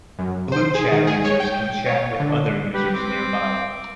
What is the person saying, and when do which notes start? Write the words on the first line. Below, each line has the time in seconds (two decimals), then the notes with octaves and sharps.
BlueChat users can chat with other users nearby.
0.19 F#2
0.52 C5
0.75 G#4
0.92 D#3
1.07 G#4
1.25 C#5
1.40 G5
1.86 C#5
2.20 D3
2.74 G4 B4
2.94 C4 D6
3.06 C4